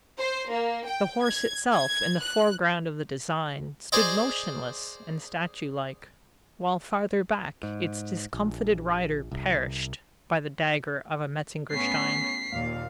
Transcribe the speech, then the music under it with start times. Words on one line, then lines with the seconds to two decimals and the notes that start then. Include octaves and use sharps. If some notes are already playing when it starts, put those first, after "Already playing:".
The horse itself, in the foreground of the design, stood motionless and statue-like--while farther back, its discomfited rider perished by the dagger of a Metzengerstein.
0.19 C5
0.51 A#3
0.87 G5
1.22 G#6
1.72 G#6
2.21 F#6
3.92 G#4 C5 D5 D#5
7.63 G#2
8.33 A#1
9.31 C2
11.71 A2 B3 C#4 B6 C7
12.51 D#2 A#2 F5